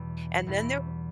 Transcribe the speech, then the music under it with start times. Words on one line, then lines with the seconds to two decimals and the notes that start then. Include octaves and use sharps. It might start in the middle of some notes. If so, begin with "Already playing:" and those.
and then there
Already playing: E2 B2 G3 B3 E4
0.47 E2 B2 G3 B3 E4